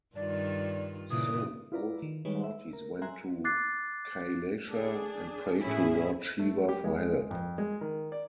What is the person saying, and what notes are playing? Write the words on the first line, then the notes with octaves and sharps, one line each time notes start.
So both parties went to Kailasha and prayed to Lord Shiva for help.
G2 D#3 F4 D5
A#2 C#3 E3 D#6
E4 F4 B4 D5 A#5
D#3
D#3 G3 G#3 D#4 B4 C#5
E5
A#4
E5 G#5 A#5 C6 F#6
D6 F#6 A6 C7
D4 G#4
A2 C#4 E4 G#4
A3
G4
G#3
F2
G#3
D#3
D5